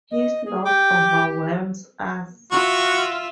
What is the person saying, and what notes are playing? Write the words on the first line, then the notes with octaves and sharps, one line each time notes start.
His loss overwhelms us.
D#5
G#4
G4 G5 D6
F4 F#4 E5 C#6